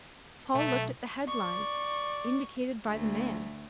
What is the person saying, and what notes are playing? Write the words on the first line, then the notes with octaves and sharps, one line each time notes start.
Paul looked at the headline indicated by the man.
B1 A3
D5 C#6
D2 A3